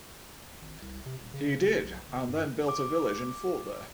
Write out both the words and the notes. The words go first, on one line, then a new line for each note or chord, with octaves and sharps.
He did and then built a village and a fort there.
G#1
C2
C3
D#1
C#3
F#1
B1
G1
G2
D6